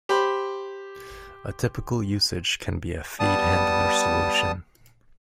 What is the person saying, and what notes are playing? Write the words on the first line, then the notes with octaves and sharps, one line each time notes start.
A typical usage can be a "feed handler" solution.
G4 C5 B5
G3 B3 A5 D#6